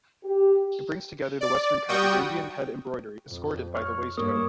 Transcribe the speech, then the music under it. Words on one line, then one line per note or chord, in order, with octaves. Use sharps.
It brings together the western cut with Indian hand-embroidery escorted by the Waist coat.
G4
D5
G3 F#4 G5 C#6 D#6
F2
C#5 F6
G2 A#3 C#5 D#6